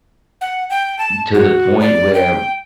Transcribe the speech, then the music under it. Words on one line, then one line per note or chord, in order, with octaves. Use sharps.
to the point where
F#5
G5
A5
F#4
D5
G5